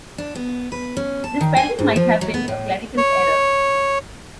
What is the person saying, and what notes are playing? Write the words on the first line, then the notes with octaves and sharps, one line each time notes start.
This spelling might have been a clerical error.
D4
B3
B4
C#4
A5
D#3
G#5
G#2
F3
F#3
B3
A2
C#5